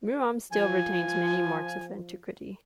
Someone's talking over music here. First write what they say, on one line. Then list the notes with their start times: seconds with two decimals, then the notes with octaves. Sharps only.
Murom still retains many marks of antiquity.
0.51 F3 G#5